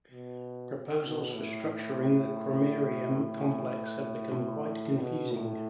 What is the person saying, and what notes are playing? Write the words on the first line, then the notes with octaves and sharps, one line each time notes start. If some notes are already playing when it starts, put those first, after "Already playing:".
Proposals for structuring the Cromerium complex have become quite confusing.
B2
B2
A2
A2
A2
B2
A2